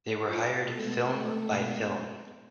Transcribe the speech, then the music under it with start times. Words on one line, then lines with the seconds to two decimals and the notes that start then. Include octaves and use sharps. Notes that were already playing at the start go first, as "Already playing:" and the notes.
They were hired film by film.
0.23 F4 F5
0.63 B2 G#3 A3 B3 A4
1.05 A3 A4
1.45 B2 G#3 B3